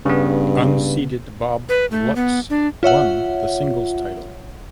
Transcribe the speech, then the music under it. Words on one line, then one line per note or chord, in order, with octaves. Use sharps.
Unseeded Bob Lutz won the singles title.
G2 C#3 B3
B4
A3
B3
D4
F4 C#5 E5 F#5